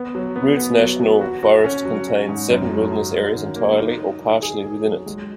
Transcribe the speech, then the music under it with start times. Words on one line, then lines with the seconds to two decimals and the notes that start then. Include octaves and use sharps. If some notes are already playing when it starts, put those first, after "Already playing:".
Routt National Forest contains seven wilderness areas entirely or partially within it.
Already playing: B3
0.15 F#3
0.36 B3
0.57 B3
0.79 F#3
1.00 F#3
1.21 F#4
1.43 F#4
1.64 C#4
1.85 F#3
2.07 F#4
2.29 G#2
2.50 F#2
2.71 F#3
2.92 F#3
3.14 F#3
3.35 D#3
3.56 A#3
3.78 D#4
3.99 F#3
4.21 D#4
4.43 G#4
4.63 G#4
4.84 F#3
5.06 G#3